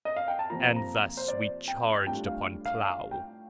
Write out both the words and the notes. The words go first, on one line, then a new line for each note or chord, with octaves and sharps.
And thus we charged upon Klow.
D#5
F5
G5
A5
F2 C3 F3 A#3 F4 A#5
A#5
C5
D5
G5
A2 G3 D4 F4 G5
F5
F5
F5
G5